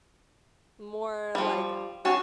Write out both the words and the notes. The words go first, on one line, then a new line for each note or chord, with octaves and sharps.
more like a
F3 G3
C#4 F#4 G#4 A5